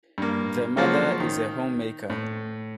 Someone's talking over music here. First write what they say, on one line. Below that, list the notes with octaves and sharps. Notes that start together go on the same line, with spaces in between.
The mother is a homemaker.
G2 A#3
C#3 F3 F#3 G#3 A#3 C#4
D#3
A2